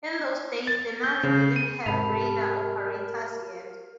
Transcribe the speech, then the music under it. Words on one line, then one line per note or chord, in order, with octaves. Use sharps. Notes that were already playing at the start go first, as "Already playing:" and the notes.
In those days the Navy didn't have Radar Operators yet.
A6
G6
C#3
D#7
G#2 C3 G3 G4 A#4 A5 B5 F7